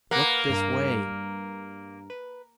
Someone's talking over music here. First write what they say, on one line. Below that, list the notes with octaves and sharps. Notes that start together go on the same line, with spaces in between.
Look this way!
A#3 B4 F#5
G2 A#4
B4